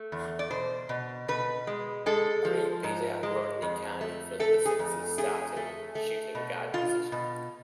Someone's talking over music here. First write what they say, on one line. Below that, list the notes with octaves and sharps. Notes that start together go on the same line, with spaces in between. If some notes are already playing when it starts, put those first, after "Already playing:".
Green beat out Rodney Carney for the Sixers starting shooting guard position.
Already playing: A3
E2
D5
B2 C5
B2
B2 B4
G#3
G#3 A4
F3
G#2
G#3
F2
A3
A3 A4
G#4
F2
A3 G#4
A3
A3
B2
B2 F4
B2